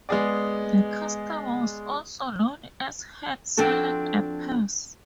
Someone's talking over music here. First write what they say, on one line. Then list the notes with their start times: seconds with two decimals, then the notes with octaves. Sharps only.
The custom was also known as "handseling a purse".
0.09 G#3 B3 G#4 D5
3.57 F3 C4 D4 F#4 A4